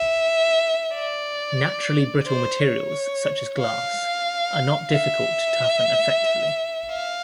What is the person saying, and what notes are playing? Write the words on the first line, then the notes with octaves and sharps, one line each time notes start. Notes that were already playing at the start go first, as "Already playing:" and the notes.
Naturally brittle materials, such as glass, are not difficult to toughen effectively.
Already playing: E5
D5
C5
C#5
F5
E5
F5